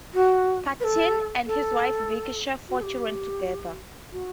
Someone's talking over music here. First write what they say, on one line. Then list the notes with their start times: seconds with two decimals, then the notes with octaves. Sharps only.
Partin and his wife Vicky share four children together.
0.14 F#4
0.80 B4
0.84 A4
1.47 A4
2.69 F#4
2.79 A4
2.83 G4
4.12 F#4